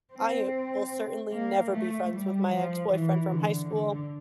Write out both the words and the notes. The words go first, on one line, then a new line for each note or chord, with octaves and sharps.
I will certainly never be friends with my ex-boyfriend from high school.
C4
A#3
A3
G3
F3
E3
D3
D3